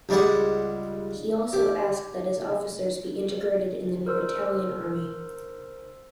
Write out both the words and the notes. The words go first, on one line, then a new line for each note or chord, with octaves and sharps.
He also asked that his officers be integrated in the new Italian Army.
C#2 G3 G#3 D5 F#5
G4
A#4 C5 E6